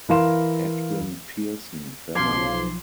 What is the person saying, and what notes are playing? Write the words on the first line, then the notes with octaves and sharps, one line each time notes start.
Edwin Pearson family.
E3 E4 A#4 F5 C6 E7
B1 F3 C6 D6 G#6 C7